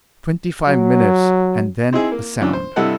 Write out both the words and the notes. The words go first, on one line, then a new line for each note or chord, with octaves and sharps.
Twenty-five minutes, and then a sound.
F#3
C4 D#4 E4 G#4
A#3
E3 F#3 C#4 D4
C5
G2 C3 E4 A4 D#5 F#5